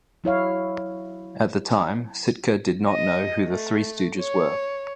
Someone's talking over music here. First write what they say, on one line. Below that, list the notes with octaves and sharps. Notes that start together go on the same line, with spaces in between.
At the time, Sitka did not know who the Three Stooges were.
F#3 E4 C#5 F5
D#5
A3
C#5